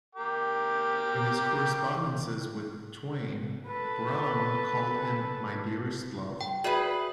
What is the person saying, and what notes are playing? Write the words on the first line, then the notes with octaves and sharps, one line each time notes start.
In his correspondences with Twain, Browne called him My Dearest Love.
A#4 G5 D6
A4 B4
G5
F#4 G#4 B4 D5 E5